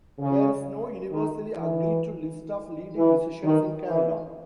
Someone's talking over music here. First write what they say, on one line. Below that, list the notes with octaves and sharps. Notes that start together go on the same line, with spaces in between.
There is no universally agreed-to list of "leading decisions" in Canada.
C#3
D#3
E3
E3
D#3
E3